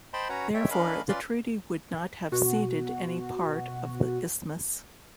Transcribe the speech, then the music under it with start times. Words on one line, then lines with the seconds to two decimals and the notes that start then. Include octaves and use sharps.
Therefore, the Treaty would not have ceded any part of the isthmus.
0.13 C5 D#5 G5 A5 B5 C6
0.29 C#4 F#4 B4 C#5 F#5 A#5
0.54 G#3 C#5 E5 G5
0.71 C#4 D4 A#4 D#5 F5 B5
1.09 C#4 F4 B4 D5 F5 C6
2.32 B2 F#4